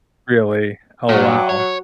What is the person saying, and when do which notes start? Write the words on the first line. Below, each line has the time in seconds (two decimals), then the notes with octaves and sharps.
Really? Oh, wow.
1.09 A#2 F#3
1.49 C#5